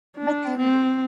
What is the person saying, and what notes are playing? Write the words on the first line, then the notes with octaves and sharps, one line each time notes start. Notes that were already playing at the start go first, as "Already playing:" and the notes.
But then, d
D4
C4